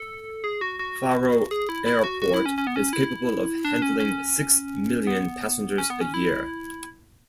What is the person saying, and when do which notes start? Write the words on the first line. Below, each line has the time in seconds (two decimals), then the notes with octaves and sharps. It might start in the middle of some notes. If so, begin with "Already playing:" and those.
Faro Airport is capable of handling six million passengers a year.
Already playing: A4
0.44 G#4
0.61 F#4
0.79 F#4
1.51 G#4
1.69 E4
1.86 E4
2.04 F#4
2.22 F#4
2.34 E4
2.46 C#4
2.58 C#4
2.67 B3
2.76 C#4
2.93 E4
3.65 D4
3.82 C#4
4.00 C#4
5.07 B3
5.78 C#4
5.90 B3
6.01 C#4
6.14 E4